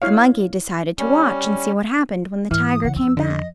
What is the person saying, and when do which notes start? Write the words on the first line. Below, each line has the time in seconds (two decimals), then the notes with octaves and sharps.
The monkey decided to watch and see what happened when the tiger came back.
0.02 E4 C#5 F5
0.98 G3 C#4
2.51 G#2 E3 F6
2.67 D#6
2.84 C#3 F#5
2.96 F2 E6
3.17 D3 D#5